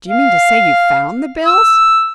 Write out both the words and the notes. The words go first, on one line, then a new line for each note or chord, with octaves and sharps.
"Do you mean to say you found the bills?"
F5
E6